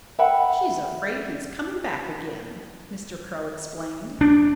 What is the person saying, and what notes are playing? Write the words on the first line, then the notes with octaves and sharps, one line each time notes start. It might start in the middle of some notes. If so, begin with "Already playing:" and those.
"She's afraid he's coming back again," Mr. Crow explained.
E5 F#5 G5 B5
D4